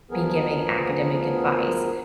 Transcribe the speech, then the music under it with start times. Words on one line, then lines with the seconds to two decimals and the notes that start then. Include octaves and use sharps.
be giving academic advice."
0.11 D2 F3 B3 G#4 A#4